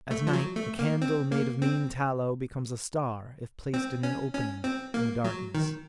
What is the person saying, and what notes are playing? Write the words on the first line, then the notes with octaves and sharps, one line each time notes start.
At night, a candle made of mean tallow becomes a star if placed in an opening in the darkness.
A3
F3
F#3
A3
A#3
C4
A#3
C4
C4
C#4
C#4
C4
A#3
F#3
D#3